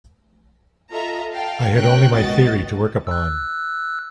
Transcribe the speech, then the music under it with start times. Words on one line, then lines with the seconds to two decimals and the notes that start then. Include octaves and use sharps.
I had only my theory to work upon.
0.91 F4 A4 D#5 E5 A#5
1.32 F5 G5 A5
1.73 A2 C#4 A#4 G5 F#6
2.12 G#1 C#2 B2 F#4 D#5 A6
3.07 E6 F#6